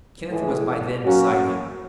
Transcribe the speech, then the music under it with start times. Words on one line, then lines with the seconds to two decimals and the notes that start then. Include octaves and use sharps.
Kenneth was by then beside him.
0.29 A2 E3 G#3
1.03 F#3 A#3 C#4 F#4